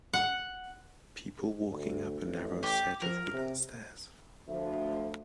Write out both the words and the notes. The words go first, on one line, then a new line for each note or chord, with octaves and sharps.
People walking up a narrow set of wooden stairs.
F#5
D2
A1
G4 D6
F3 A#4
C3
D2 F3 E5